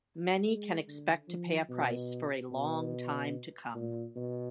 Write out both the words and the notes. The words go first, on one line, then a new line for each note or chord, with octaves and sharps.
Many can expect to pay a price for a long time to come.
G#3
D3
F3
B2
B2
A#2
B2